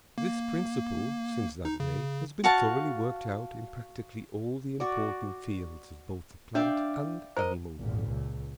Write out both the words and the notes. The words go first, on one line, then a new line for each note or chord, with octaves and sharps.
This principle, since that day, has been thoroughly worked out in practically all the important fields of both the plant and animal world.
A#3
D#4
C#3
F#4 F5 A5
F#4 D5
D4 D5 E5 F5 G5
A#4 C5 D#5
G#1 A#2
C#2